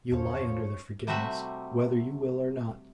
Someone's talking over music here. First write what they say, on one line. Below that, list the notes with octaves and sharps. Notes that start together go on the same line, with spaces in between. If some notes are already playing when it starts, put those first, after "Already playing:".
You lie under their forgiveness, whether you will or not.
E2 G2 D3 F3 C#4 C#5
C3 G3 A3 F#4 E5 F#5